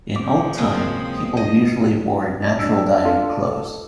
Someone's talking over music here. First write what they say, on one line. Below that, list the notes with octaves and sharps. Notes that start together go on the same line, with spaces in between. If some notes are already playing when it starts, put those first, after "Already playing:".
In old time, people usually wore natural dyeing clothes.
A#2 C#3 F3 D6
D#2 F#3 G#3 A#3 C4 A#4 D#6
D#5
F#2 D4 E6
F4 A4